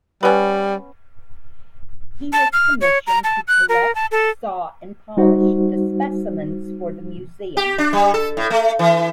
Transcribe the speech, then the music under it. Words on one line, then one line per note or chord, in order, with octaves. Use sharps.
He was commissioned to collect, saw, and polish the specimens for the museum.
G3 B3 C#4
A5
F6
C#5
A#5
A5
F#6
A#4
A5
A4
G3 D#4 F#4 C5
G4
D4
G3
A4
A2
A3
E3